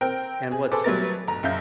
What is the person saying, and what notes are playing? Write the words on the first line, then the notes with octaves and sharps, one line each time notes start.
And what's f
C4 A#4 G5
G#4
G#4 A4 B4 C5 D6
F#3 G3 A3 B3 A#4 A6
G1 A#5
F#1 F#2 E5 F5 G6